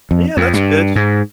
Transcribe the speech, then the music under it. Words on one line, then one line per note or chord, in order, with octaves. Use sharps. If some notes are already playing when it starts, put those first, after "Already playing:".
Yeah, that's good.
F2
F2
G2
G#2